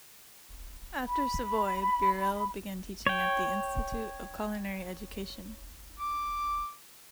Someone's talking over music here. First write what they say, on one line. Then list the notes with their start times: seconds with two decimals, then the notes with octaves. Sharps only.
After Savoy, Burrell began teaching at the Institute of Culinary Education.
1.06 B5
3.07 C#5 G5
5.99 D6